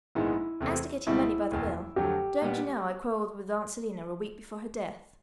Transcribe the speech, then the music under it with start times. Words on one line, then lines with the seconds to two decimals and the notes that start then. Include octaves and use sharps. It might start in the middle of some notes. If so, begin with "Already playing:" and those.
As to getting money by the will, don't you know I quarrelled with Aunt Selina a week before her death.
0.15 A#1 G#2 D#3 G#3 B3 E4
0.60 E2 C3 E3 A3 C4
1.06 C#2 B2 G3 E4
1.51 F#1 E2 B2
1.96 F2 D3 F#3 A3 G4
2.42 A#2 G3 B3